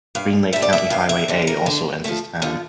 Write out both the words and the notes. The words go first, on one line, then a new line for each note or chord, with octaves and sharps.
Green Lake County Highway A also enters town.
G2 F5
D3 G3 E5
D5
E5
G2 F5
E5
D3 G3
A#4
D3
F3 A3
D3 F4